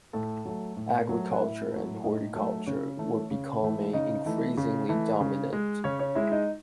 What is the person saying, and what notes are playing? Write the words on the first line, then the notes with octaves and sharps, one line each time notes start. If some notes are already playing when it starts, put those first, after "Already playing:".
Agriculture and horticulture were becoming increasingly dominant.
A2 A4 A5
F#3 A3
A2
F#3 A3
F#5
A2 E4 E5
F#3 A3
A2 D#4 D#5
F#3 A3
C#3 C#4 C#5
E3 A3
C#3
E3 A3
C#3 D#4 D#5
E3 A3
C#3
E3 A3
C#3
G#3
C#3 C#4 C#5
C#4 C#5
G#3 E4 E5
D#4 D#5